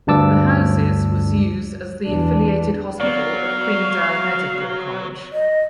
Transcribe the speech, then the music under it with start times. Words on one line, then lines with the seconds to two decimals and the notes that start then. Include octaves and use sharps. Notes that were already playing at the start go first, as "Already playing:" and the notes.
The houses was used as the Affiliated Hospital of Qingdao Medical College.
0.07 D2 G2 D4 A5 D6 E6
2.07 E2 D4
3.01 F#3 B3 D5 F5
5.33 D#5